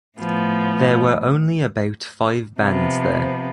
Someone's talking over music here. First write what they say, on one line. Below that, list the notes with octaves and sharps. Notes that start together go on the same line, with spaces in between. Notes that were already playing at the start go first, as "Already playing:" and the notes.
There were only about five bands there.
A2 F3 B3
C3 F3 B3